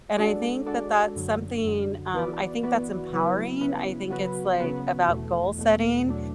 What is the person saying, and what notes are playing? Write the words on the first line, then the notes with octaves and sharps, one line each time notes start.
And I think that that's something, um, I think that's empowering. I think it's, like, about goal setting,
G#3 D4 F#4 A4 D5
G#3 D4 F#4 A4 D5
F#2 D3 F#3
F#2 D3 F#3
E3 B3 F#4 B4 D5
E3 B3 F#4 B4 D5
C#3 F#3 B3 E4 B4
C#3 F#3 B3 E4 B4
C#3 F#3 B3 F#4 B4
C#3 F#3 B3 F#4 B4
E2 B2 A3
E2 B2 A3
E2 B2 F#3 A3 D4